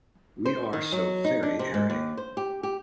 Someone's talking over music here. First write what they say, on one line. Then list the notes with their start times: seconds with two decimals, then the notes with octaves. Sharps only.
We are so very airy!
0.46 C5
0.73 D#3
0.92 F#3
1.24 D#4
1.43 D4
1.59 C3
1.74 G#2
1.90 D#2
2.17 C5
2.37 G4
2.63 G4